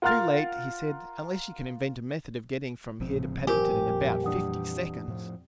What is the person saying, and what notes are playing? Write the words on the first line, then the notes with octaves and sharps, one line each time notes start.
"Too late," he said, "unless you can invent a method of getting from here to Paddington in about fifty seconds."
F4 A#4 F#5 C6 F6 A6
G#1 D2 A2 C#3 F3 C4
F2 A#2 G3 G4 A#4 C5 G#5
E3 D4 F#5 D#6
A2 F3